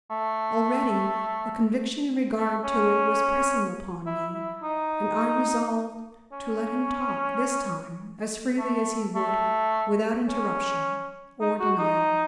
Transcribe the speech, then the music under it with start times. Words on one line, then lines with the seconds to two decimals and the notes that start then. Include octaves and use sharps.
Already a conviction in regard to it was pressing upon me, and I resolved to let him talk, this time, as freely as he would, without interruption or denial.
0.10 A3
2.36 A3
2.64 C#4
4.06 E4
4.34 E4
4.62 D#4
6.32 C#4
8.58 A3
9.15 A3
10.28 C#4
11.41 D#4
11.59 F#4
11.78 D#4